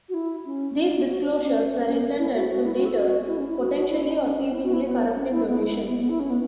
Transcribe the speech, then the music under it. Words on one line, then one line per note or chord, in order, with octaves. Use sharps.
These disclosures were intended to deter potentially or seemingly corrupting donations.
F#4
E4
C#4
F#4
F#4
C#4
C#4
C#4
C#4
E4
F#4
F#4
E4
F#4
A4
F#4
E4
C#4
E4
F#4
F#4
E4
C#4
C#4
C#4
E4
F#4
E4
B3
C#4
E4
B3
E4
E4
B3
B3
E4
C#4
B3